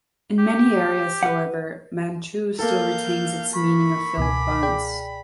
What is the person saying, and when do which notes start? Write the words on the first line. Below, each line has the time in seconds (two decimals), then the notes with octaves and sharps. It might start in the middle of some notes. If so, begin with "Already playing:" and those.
In many areas, however, "mantou" still retains its meaning of filled buns.
0.39 G4
1.23 B4 F#5
2.59 A#3 A4 F5 G6
3.55 B5 C#6
4.18 C#2 B2 G#5 D6
4.63 G#4 D5 G5